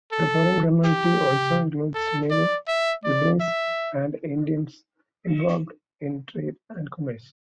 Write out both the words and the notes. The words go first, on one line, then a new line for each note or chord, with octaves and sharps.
The foreign community also includes many Lebanese and Indians involved in trade and commerce.
A4
G4
A4
D5
E5
D5
E5